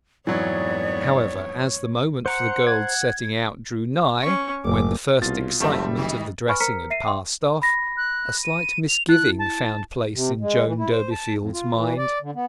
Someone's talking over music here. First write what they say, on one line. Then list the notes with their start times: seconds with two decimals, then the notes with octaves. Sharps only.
However, as the moment for the girl's setting out drew nigh, when the first excitement of the dressing had passed off, a slight misgiving found place in Joan Durbeyfield's mind.
0.27 F2 G#2 E3 F#3 B3 C#5 D5
2.26 C5 F#5 A#5 C6 C#7
2.67 F#5 G#6
4.22 C#4 C#6
4.65 F#1 D6
5.22 C2 B2 F4 A6
5.60 F#1 F3 G3 A3 C4 E5
5.96 B2 D#3 E3
6.48 B4 G#5 B5 C#6 F6
6.60 A#4 C5 A#5 F6 B6 C#7
6.90 E5 C7 D#7
7.05 E5 G5 C6
7.62 B5 A#6
7.97 F#6
8.43 D#7
8.88 F7
9.09 E4 F#6
9.39 A5
10.14 C3
10.41 G#3
10.65 E3
10.78 E4
10.90 C5
11.12 A5
11.39 F2
11.53 F4
11.75 E3
11.97 D5
12.22 D3
12.35 B3